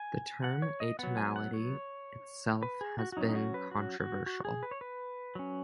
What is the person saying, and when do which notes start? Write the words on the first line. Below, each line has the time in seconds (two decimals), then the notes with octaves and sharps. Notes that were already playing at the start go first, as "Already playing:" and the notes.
The term "atonality" itself has been controversial.
Already playing: G#5
0.44 F#5
0.62 C#5
0.80 D#5
0.99 F#3 B3 F#5
1.17 G#5
1.36 F#5
1.54 C#5
2.63 B4
2.81 G#4
2.99 F#4
3.12 F#4
3.17 F#3 C#4 D#4
3.29 D#4
3.35 F#4
3.54 B4
3.71 F#4
4.00 F#4
4.26 F#4
4.45 G#4
4.63 B4
4.71 C#5
4.81 B4
5.35 F#3 C#4